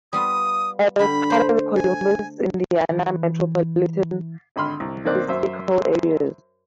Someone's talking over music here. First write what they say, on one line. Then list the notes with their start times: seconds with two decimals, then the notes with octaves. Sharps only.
It is part of the Columbus, Indiana metropolitan statistical area.
0.13 G3 B3 F4 D#6
0.99 D3 G3 B5
1.30 A3 C5
1.76 G#5
2.90 E3
4.56 G#1 D3 B5 C6 F6
4.80 C2
5.05 B1 D#3 A#3 C4 D5 F#6
5.28 F#2 C5 E5